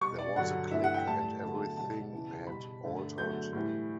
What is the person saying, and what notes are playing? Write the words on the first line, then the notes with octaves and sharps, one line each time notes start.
There was a click, and everything had altered.
B2 G3 C#6
D5
G2 D3 F#3 F#5
G2 E3 A3 E5
F#5
G5
A2 G3 A5
E2 D3 F#3 A3
B2 G3 A5
E2 C#3 E3
B2 G3 B5
G2 D3 A3
E2 D3 F#3 A3 G6
A2 E3 G3